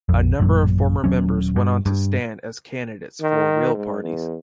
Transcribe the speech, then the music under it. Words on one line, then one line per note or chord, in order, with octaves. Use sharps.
A number of former members went on to stand as candidates for "real" parties.
A#1 F2
A1 F#2 A#2 F#3
D#1 F#2 F#3 C#4
G2
G2
D#3
G#2
E2